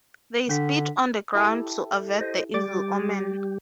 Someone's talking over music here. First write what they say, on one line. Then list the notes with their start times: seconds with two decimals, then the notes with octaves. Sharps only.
They spit on the ground to avert the evil omen.
0.49 D3 D4 B6
1.35 E4 G4 A4
2.21 C5 D#5
2.54 G3 G4 D6 A6